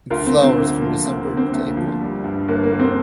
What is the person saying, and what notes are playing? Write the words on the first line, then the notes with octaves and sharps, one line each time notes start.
It flowers from December to April.
D2 F4 A#4
C4
D3
C4
D2 A#3
F3
D2 C4
A#3
D3
C4
D2
F3
G3
G2
G1 A#3
A#3
D3
C4